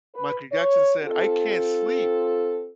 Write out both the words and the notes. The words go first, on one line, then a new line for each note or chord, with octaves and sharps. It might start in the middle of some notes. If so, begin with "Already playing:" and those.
Michael Jackson said, "I can't sleep
B4
C#5
C4 F4 A4